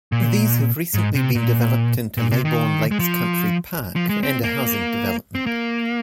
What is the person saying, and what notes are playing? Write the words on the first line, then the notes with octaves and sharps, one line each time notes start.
These have recently been developed into Leybourne Lakes Country Park, and a housing development.
A#2
G#2
C3
A#2
A#2
C3
D#3
G#3
F3
F3
G#3
C4
A#3
C4
A#3